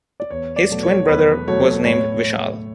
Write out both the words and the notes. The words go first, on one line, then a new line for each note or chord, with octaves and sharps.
His twin brother was named Vishal.
D5
E2 C#5
D5
B2 F#3 A3
C#5
E2 B4
B2 F#3 A3 C#5
A2 C#5
C#5